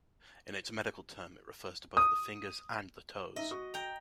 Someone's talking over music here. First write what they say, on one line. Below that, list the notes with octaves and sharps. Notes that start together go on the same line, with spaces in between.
In its medical term, it refers to both the fingers and the toes.
D#6
D#4 D#5 E5
F#4 C#6 D#6
G5 A#5